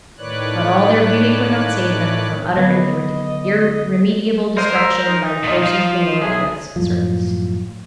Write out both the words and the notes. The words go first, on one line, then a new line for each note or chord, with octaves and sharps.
But all their beauty could not save them from utter and irremediable destruction by the forces below the earth's surface.
A2 D#3 B4 C#5 D5 F#6
D3 F#3 B3 B4 D#5
G#3 A#4 C5 D#5 D#7
A#5 E6 B6
D#4
A#2 F4 D#5 B6
F3 F5
B1 G#4 E5
F#2 A2 F3